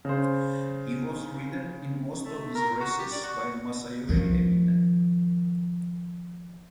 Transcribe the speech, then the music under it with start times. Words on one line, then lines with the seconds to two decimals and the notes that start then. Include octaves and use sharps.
He was ridden in most of his races by Masayoshi Ebina.
0.05 C#3 C5
2.25 A3
2.55 A#4
2.80 F#4
2.99 G4
3.12 D5
3.23 F#4
4.09 D#3 F3